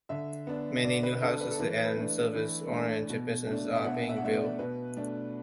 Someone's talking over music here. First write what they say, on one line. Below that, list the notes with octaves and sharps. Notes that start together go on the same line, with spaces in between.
Many new houses and service-oriented businesses are being built.
D3 E5
B3 D4
D3 D5
B4
B3 D4 A4
B4
A4
E3 B4
B4
A3 D4
E3
A3 D4
B2
A3 D4
E5
B2 F#5
E5
F#5
A3 D4 E5
D5
B2 B4
A3 D4